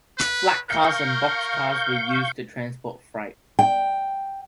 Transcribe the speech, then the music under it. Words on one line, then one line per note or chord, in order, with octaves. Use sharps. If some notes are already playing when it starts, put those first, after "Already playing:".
Flatcars and box cars were used to transport freight.
B4
A#4 F5 C#6 G6
G5